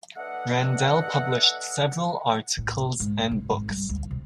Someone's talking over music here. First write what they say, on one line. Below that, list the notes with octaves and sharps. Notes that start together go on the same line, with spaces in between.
Randell published several articles and books.
A3 D4 B4 D#5 E5 F#5
A2
G#2
C3
G#1
G3
D2
C3